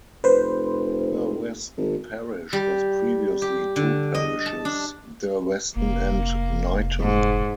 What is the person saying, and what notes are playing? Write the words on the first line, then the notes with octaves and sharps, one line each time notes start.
Durweston parish was previously two parishes: Durweston and Knighton.
F1 B4 C5
G#1
G3
G4
D3
D#5
A5
D4
F1 A#3
G#2